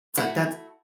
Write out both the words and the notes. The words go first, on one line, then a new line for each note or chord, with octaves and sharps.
It's like, that's
A3 E4 F#4